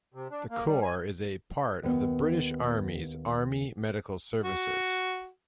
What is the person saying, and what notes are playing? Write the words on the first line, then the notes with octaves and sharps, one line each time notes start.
The corps is a part of the British Army's Army Medical Services.
C3
D4
A#3
G3
G#5
D#2 B3
F#4